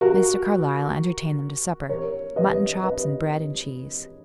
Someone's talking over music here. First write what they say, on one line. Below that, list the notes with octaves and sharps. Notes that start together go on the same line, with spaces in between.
Mr. Carlyle entertained them to supper--mutton chops and bread and cheese.
F#4 A#4
A#4 C#5
B4 D#5
B4 D#5